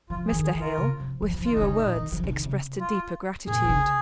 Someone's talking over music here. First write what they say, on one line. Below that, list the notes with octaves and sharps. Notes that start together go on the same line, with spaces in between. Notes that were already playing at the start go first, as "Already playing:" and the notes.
Mr. Hale with fewer words expressed a deeper gratitude.
F3 F4
G#4
D#3
G#4
D#3
F4 A#4
C#3
F3
F3
F3
D#3 F4
D#4
D#3
C#3 C#4
D#4
A#2
C#3
D#3
F3
C#3
D#3
C#3
F4
A#2 G#4
D#3
C#3